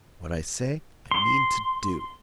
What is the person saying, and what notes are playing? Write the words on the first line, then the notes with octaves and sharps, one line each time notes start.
What I say, I mean to do!'
C6